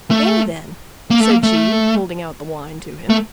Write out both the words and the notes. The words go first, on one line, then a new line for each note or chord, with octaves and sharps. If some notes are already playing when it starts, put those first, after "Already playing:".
"There, then," said she, holding out the wine to him.
A3
A#3
A3
A#3
A3
A3